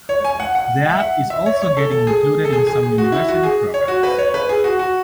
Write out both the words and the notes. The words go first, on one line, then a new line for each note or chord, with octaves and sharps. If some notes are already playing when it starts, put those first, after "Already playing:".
The app is also getting included in some university programs.
C#5
G#5
F#5
F#5
E5
F#5
E5
C#5
C#5
A4
A4
G#4
A4
G#4
G#4
G#4
F#4
E4
F#4
G#4
C#5
F#4
B4
C#5
B4
G#4
F#4
F#4